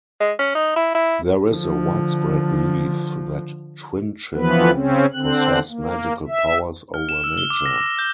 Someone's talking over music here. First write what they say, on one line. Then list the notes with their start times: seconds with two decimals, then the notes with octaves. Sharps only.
There is a widespread belief that twin children possess magical powers over nature.
0.21 G#3
0.39 C#4
0.55 D#4
0.76 E4
0.95 E4
1.46 D3 F3
4.35 E3 F3 B3 B4
4.72 C#3 C4 C#4
5.13 D3 C4 F#6
5.69 A#3
6.28 E5
6.94 F6
7.09 E7
7.24 E6
7.38 G7
7.50 D6
7.66 A#6
7.86 D6
7.99 G6